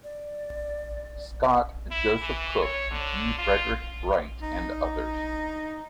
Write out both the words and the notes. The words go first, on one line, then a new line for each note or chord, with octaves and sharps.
Scott, Joseph Cook, G. Frederick Wright, and others.
D5
E4
E3
C#5
D3
F4
D#4